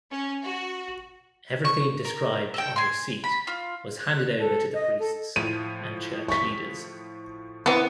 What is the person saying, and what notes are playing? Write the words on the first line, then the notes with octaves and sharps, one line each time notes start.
Everything described on receipt was handed over to the priests and church leaders.
C#4
F#4
C#6
A#4
A4 G5
G#5 C6
B5
F4
F#6
A4
D#5
A4
A2 F3 D#7
C#6 B6
E3 B3 C4